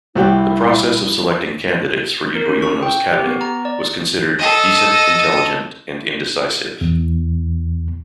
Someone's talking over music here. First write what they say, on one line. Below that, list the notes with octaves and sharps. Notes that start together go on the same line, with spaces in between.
The process of selecting candidates for Yudhoyono's cabinet was considered "decent, intelligent, and indecisive".
C2 E4 F#4 G4
A#4
C#4
C#6
G5
G4
B3
A#5
D5
A4 D#5
E2